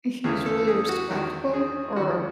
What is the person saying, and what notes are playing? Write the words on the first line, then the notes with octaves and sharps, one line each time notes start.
He was really respectful or
E2 C#3 E3 G#4
A4
G#4
F#4
E2 D#3 F#4
G#4
D#2 D#3 F#4